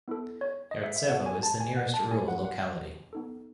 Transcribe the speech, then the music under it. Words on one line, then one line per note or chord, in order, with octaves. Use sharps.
Yartsevo is the nearest rural locality.
B3 E4 A4
C#5
D#5
E5
E5
B3 F#4 A4 F#5
G#5
A5
G#5
F#5
A5
A3 E4 G#4 G#5
F#5
F#5
B3 D#4 A4